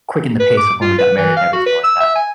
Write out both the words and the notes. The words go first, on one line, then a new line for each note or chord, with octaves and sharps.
quickened the pace of when we got married and everything like that.
B4
D6
F4
B4
E3
F5
F#4
B4
E6
E5
G#5